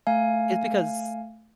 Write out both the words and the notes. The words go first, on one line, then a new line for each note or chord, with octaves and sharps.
Is because
A3 F5 G#5